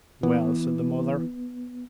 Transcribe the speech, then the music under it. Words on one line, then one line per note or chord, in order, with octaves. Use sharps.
"Well?" said the mother.
E3 B3